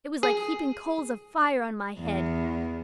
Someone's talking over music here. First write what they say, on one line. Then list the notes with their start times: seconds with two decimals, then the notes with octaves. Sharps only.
It was like heaping coals of fire on my head.
0.23 G#4
2.00 E2